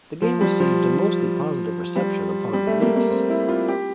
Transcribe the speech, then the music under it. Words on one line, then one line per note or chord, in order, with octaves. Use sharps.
The game received a mostly positive reception upon release.
F3
G3
F3
G3
G3
A3
A#3
A#3
C4
E4
F4
G4